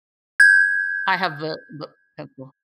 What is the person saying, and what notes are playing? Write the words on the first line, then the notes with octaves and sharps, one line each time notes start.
I have the the pencil.
G6 G#6